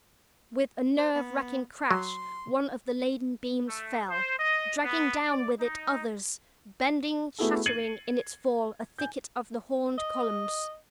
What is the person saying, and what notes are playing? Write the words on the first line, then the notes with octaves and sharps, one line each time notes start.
With a nerve-racking crash one of the laden beams fell; dragging down with it others; bending, shattering in its fall a thicket of the horned columns.
C5
B3
F#3 C6
A3
C5
D#5
B3
D5
D#4
A3 B3 E4 F#4 G#4 A4
G#6 A6 C7 C#7 D#7 F#7
G#5 G6
D#5